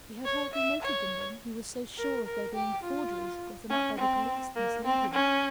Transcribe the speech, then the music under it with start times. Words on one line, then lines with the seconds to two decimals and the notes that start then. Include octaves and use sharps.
He had hardly noted them then, he was so sure of their being forgeries, gotten up by the police to mislead him.
0.25 C#5
0.53 E5
0.82 C#5
1.98 A#4
2.26 A#4
2.54 G4
2.83 F4
3.69 C#4
3.98 C4
4.55 A#3
4.84 C4
5.13 C#4